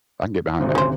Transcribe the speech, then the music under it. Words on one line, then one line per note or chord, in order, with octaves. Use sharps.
I can get behind that."
G#1 D2 C3
C#4 C5